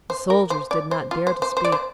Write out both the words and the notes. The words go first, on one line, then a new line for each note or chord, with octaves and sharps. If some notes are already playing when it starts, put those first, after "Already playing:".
The soldiers did not dare to speak.
C5
A#4
C5
D5
C5
F4
C5
C5
C5
D5
C5